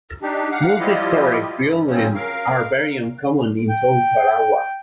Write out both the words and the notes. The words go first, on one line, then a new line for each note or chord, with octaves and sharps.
Multi-storey buildings are very uncommon on South Tarawa.
D4 D#4 G4
F5 F#5
F3 G3 E4 F4 G4 D#5
G2
C#3 F3 F#3 C4 C#4
A#4 F5
G5